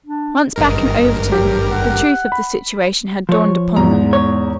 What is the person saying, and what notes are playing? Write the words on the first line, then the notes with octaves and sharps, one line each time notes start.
Once back in Overton, the truth of the situation had dawned upon them.
D4
G#1 G2 A#4 D#5
F#3 G4
F#5
B5
F3 C#5
E2 G#2 A#5
C#5